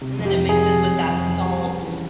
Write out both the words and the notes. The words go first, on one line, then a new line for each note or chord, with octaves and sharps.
And then it mixes with that salt.
C3
F2
G4
F2
G#4
F3
C3
F2
F2
F3
G3
C#4
E3